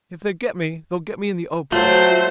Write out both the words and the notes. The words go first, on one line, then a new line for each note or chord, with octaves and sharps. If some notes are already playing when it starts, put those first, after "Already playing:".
If they get me, they'll get me in the open.
F#3 A3 F4 C5